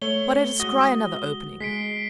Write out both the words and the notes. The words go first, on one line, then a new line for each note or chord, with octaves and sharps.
But I descry another opening.
A3 C#5 G7
G#3 F#4 D#6 A#6
G#3 B6 C7 D7